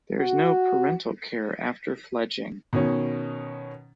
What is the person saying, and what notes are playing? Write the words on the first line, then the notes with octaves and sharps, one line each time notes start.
There is no parental care after fledging.
F#4
B2 D#3 C#4